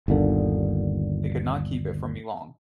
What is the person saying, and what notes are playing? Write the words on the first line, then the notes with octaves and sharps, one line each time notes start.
They could not keep it from me long.
G1 D#2 A#2 D3